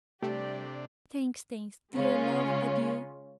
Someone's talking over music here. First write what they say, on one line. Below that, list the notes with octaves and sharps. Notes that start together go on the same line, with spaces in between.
"Thanks, thanks, dear love, adieu!"
C3 G3 A3 D4 G4 D5
C#3 G#3 C#4 F4